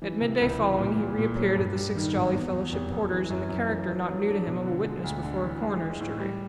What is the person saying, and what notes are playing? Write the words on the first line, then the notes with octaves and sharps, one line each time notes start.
At mid-day following he reappeared at the Six Jolly Fellowship Porters, in the character, not new to him, of a witness before a Coroner's Jury.
E3
C3
C#2
E3
A#2
A#2
A#2
F#3
G2
G3
D#3
G#1
E2
E2
F1
F1
E3
F#2
F#2
E3
F#3
F#3
D4
B2
D3
G#3
D2
D3
E3
G#3
G#3
A2
G3